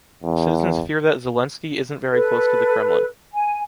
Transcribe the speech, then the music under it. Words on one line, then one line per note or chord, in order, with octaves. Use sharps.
Citizens fear that Zelensky isn’t very close to the Kremlin.
E2
A4 B4
G#5